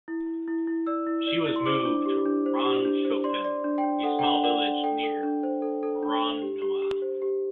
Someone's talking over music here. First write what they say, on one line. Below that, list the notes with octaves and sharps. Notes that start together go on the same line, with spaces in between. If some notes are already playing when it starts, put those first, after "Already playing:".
She was moved to Ranshofen, a small village near Braunau.
E4
E4
E4
E4
D5 E6
E4
D5
E4
C6
C5 D6
D4
G4
D4
C5
G4
D4
C5
D5 C6
D5
D4
G5
D4
A4 F#5
G5
D4 F#5
D5 F#5
D4
A4 G5
A4
D4
C5
A4
A4
D4
D4
G4
G4
G4
C5
G4